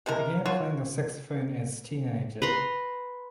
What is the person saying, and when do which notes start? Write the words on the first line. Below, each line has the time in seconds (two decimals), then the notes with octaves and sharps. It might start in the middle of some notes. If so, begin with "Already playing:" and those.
He began playing the saxophone as teenager.
0.06 C3 G#3 E4 A#4
0.46 F4 F#4 C#5
2.42 B4 A#5 C6